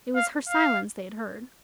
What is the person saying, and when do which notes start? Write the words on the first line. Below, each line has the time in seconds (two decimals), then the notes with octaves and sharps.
It was her silence they had heard.
0.15 F5
0.49 F5